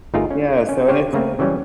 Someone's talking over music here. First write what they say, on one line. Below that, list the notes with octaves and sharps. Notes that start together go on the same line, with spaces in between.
Yeah. So and it's
G1 A3 D#4 F4 G#4 A#4
C#4
C#4
G4 C5 C#5 F5
C#3 A3 A#3 C4
C#3 E3 F#3 G3 C#4